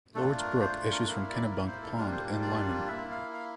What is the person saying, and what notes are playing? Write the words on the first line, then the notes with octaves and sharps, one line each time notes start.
Lords Brook issues from Kennebunk Pond in Lyman.
A3 D4 F4 A4
A#4
C5
A#4
A#3 E4 A#4
D5
A#4
C5
A4
G3 A#3 D4 F4 A#4
C5
D5
A#3 E4 E5
F5
F5